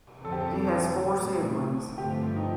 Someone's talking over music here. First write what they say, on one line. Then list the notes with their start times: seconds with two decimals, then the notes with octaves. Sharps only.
He has four siblings.
0.25 F2 D3 F3 C4 A4
0.32 G4
0.41 A4
1.11 A#2 A3 C4
1.98 G2 D3 F3 A3 C4 G4
2.36 D#4
2.42 F4